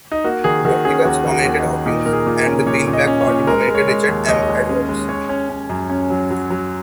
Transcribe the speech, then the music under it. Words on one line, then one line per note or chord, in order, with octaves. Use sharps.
Republicans nominated Hawkins, and the Greenback Party nominated Richard M. Edwards.
D#4
A#3 F#4
D#3 G#4
D#3 F#4
C#4 G#4
D#2 F#4
D#3
F#4
D#2
D#4
D#3
A#2 D#4
A#2 A#4
G#4
A#2
A#4
C#4
A#2 C#5
A#2
D#5
C#4
C#5
A#2
G#3 A#4
G#3 A#4
C#5
G#3
D#2
D#2 D#5
C#5
D#5
G#3
C#4
G#3
C#4 C#5
C#4
C#4
F#2
C#4
F#3
F#3
F#3